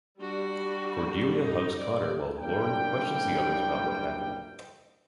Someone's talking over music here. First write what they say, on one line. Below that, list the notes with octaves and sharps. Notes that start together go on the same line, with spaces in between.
Cordelia hugs Connor while Lorne questions the others about what happened.
G3 D4 F#4
D#4
D5
F#1 G2 G3 G5